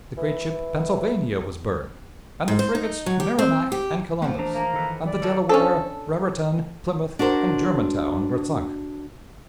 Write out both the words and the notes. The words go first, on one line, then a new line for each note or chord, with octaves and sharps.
The great ship Pennsylvania was burned, and the frigates Merrimac and Columbus, and the Delaware, Raritan, Plymouth, and Germantown were sunk.
E3
G#2
C5
D#4
F#3
G4
C4
G4
E3 F3 A#3
A3 D4 A#5
A#3
D#3 A4 B4
D5
D#3 F3 F#3 A4
C#4 D4 A4
D4 F#4 A#4 C5